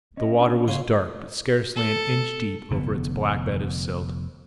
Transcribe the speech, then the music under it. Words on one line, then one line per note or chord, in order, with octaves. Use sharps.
The water was dark but scarcely an inch deep over its black bed of silt.
C#4 D#5
D4
D4
C#3 C#5 C6
A4
F1 D3 B3